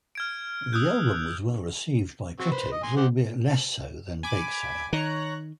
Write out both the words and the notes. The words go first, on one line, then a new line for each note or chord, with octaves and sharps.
The album was well received by critics, albeit less so than "Bakesale".
F6 G#6 D7
D#6 E6 F#6 G6
F#3 C4
B4 C5
D#5
G#5 C6
G4 C5 F#5
G#5 B5 D6
D#3 C#5 A#5 F#6